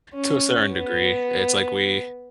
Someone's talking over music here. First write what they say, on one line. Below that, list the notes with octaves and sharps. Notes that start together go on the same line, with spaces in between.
To a certain degree, it's like we
C#4
B3